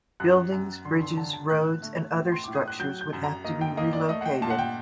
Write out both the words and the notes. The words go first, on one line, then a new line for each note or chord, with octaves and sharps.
Buildings, bridges, roads and other structures would have to be relocated.
F#2 F#6
F#2
D3 C6
C6
D3 A5
A5
A2 F#6
A3
A2
C6
A2 D6
D#6
F#6
F#3 G6
G6
F#2
A#5
A#3 D#5
G5
A#3 D#5
D5
A3 D#5
F#5
G5
A#2 A5
F#5
G5